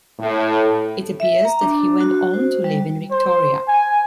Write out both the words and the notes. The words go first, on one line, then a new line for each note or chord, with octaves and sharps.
It appears that he went on to live in Victoria.
A2
E5
A#5
D4
F#4
C5
G3
C5
G#5